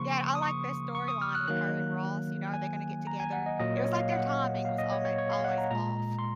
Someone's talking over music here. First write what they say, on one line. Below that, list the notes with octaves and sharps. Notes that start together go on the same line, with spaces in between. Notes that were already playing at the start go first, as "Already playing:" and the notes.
Yeah. I like the storyline with her and Ross, you know, are they gonna get together? It was like their timing was almo always off.
Already playing: C#3 F3 A#3 C6 C#6
D#6
C#6
C#6
D#6
F6
F#6
D#3 F#3 A#3 F#6
G#5
A#5
G#5
F#5
D#5
A#2 F#3 A#3 D#5
C#5
F5
F#5
F5
D#5
C#5
C#5
C#5
F5
F#5
A#5
A#2 G#3 A#5
C6